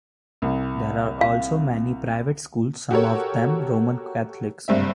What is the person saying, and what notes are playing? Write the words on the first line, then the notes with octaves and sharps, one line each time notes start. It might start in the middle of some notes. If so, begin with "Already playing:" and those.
There are also many private schools, some of them Roman Catholic.
C2
F5
F#4 G4 A4 A#4 C#5
F#1 G2 C4 E5